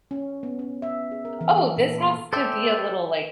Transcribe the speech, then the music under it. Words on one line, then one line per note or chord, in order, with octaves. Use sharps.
"Oh, this has to be a little, like"
C#4
B3
C#4
E5
G#4
A#4
E3
A4
A#2
A4
A4 C5 D5 E5 G5